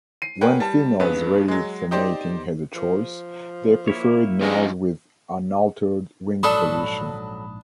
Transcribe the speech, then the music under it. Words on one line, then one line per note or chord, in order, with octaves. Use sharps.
When females ready for mating had the choice, they preferred males with unaltered wing position.
C7 D#7
G#4 A#4 B4 C#5 F#5 G5
G3 A5
C#2 G2 C#3 B3 B4
F#3 G#3
D#4 G4 C5 D5
F3
A#3 E4 C#5
G#2 F3 G#3 C#4 D#4 D#5
A#1 G#2 F#3 D4 A4 B5 D#6